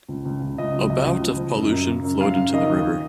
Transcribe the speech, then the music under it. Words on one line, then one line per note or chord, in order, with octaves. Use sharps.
About of pollution flowed into the river.
C#2
C#2
C#2
C#2 D#5
F#3
C#2 D#5
C#2
F3
F3
F#2
F#2
C#3
F#2
F#2 F5
C#3
D#3 D#5
D#2